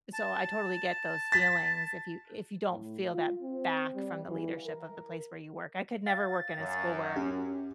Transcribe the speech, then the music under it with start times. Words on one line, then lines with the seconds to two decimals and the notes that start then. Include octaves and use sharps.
so, I totally get those feelings if you if you don't feel that back from the leadership of the place where you work I could never work in a school where
0.13 A5
1.32 A6 B6
2.71 A2
3.13 F4
3.43 C4
3.95 G3
4.30 E3
4.67 A#4
6.06 F5 A6
6.59 F#2
7.16 C#4 G4